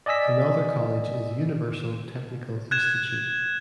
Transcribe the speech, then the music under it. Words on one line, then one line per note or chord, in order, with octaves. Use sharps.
Another college is Universal Technical Institute.
D5 D#5 G#5 E6 B6
F#6 G#6 E7